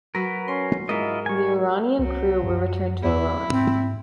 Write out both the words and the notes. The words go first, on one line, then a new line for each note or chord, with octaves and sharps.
The Iranian crew were returned to Iran.
F#3 A#4 B4
C#4 C6
G#2 E4 F4 A#4 D#5
G#5 C#6
C2 F#3
F#2
E2 E4
G#2 C4